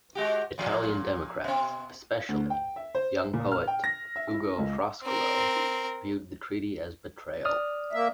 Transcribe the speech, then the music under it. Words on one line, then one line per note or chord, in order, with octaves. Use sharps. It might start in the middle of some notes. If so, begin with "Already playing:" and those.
Italian democrats, especially young poet Ugo Foscolo, viewed the treaty as a betrayal.
G#3 F#4 G4
A#2 F3
B2 C4
D2
G5
E5
C5
A#2
F6
G5
A#6
E5
E4
C#2
C4 A#4
D5 D#6 F6
A#3 E5